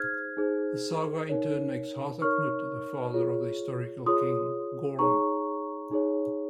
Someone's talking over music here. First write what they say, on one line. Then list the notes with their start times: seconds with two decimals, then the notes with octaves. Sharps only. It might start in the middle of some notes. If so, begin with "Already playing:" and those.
The saga in turn makes Harthacnut the father of the historical king, Gorm.
Already playing: D#4 G#4 C5 F6 G#6
0.37 D#4 G#4 C5
1.29 D#4 A#4 C#5
2.21 D#4 A#4 C#5 C#6 F6
3.14 F4 G#4 C#5
4.06 F4 G#4 C#5 C6 D#6
4.99 D#4 G#4 C#5 A#5 C#6
5.91 D#4 G#4 C#5